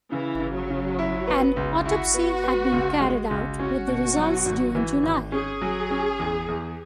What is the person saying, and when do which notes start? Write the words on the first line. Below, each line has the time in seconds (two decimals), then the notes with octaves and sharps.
An autopsy had been carried out, with the results due in July.
0.12 C#3 E3
0.40 C#3
0.56 F#3
0.70 C#3
0.99 E4
1.27 B3
1.56 C#2
1.85 E4 F#4
2.14 B3
2.44 B3
2.72 C#2
3.00 G#3
3.30 C#2
3.59 C#4 F#4
3.88 B2
4.16 F#3
4.45 G#1
4.75 E3
5.03 G#1
5.32 C#4 G#4
5.61 F#3
5.91 C#4
6.19 E2
6.48 E2